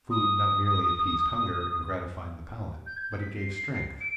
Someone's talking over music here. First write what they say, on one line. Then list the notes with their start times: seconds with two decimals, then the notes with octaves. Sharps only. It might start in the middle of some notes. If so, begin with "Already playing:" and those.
Food not merely appeased hunger and gratified the palate, but it gave strength.
0.11 D#6
2.86 G6
2.96 G#6
3.02 G6
3.19 B6
3.36 C7
4.00 D7